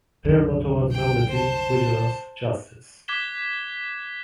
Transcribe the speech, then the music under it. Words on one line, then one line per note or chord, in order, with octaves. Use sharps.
Their motto was Mobility, Vigilance, Justice.
C2 F#2 D3
G5
C5 A5
D6 F#6 G#6 B6 E7 G7